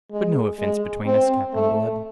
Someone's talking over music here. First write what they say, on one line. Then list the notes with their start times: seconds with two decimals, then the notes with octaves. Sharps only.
"But no offence between us, Captain Blood!"
0.12 G#3
0.58 G#3
1.06 C4
1.54 A3